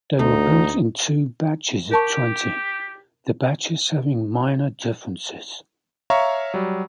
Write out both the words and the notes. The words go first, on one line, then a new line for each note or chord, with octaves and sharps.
They were built in two batches of twenty, the batches having minor differences.
D2 A3 D#4
G4 A#4 A5 C#6
C#5 E5 F5 A#5 C#6
F#3 G3